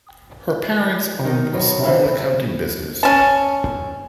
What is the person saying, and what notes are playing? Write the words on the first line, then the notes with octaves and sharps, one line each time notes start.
Her parents owned a small accounting business.
D#3 D#4
B2 F#3
C3 E3 E4 F5
C#4 A5